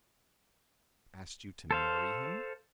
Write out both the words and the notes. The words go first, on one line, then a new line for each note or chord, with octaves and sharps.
"Asked you to marry him?"
A4 C5 F5